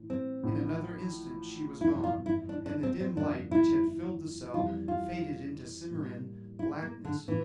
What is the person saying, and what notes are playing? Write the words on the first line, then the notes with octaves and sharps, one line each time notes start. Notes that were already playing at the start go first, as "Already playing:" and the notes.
In another instant she was gone, and the dim light which had filled the cell faded into Cimmerian blackness.
Already playing: A2 E3
C4
A1 A2 F3
G1 F2 E3 E4
F4
E4
D4
D4
C4
C4
G1 F2 D3 F3 A#3 D4
E4
F2 E3 G3 F4
F4
A2 G3 A#3
E4
A#3
D3
A2 E3 F3